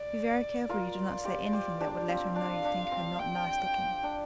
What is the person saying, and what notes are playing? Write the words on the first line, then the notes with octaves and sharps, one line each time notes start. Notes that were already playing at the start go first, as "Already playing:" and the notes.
Be very careful you do not say anything that would let her know you think her not nice looking.
Already playing: D5
F4 A#4 D5
G4 C5
G4 C5
D4 G4
C4 F4
D4 F5
D4
C4
G5
D4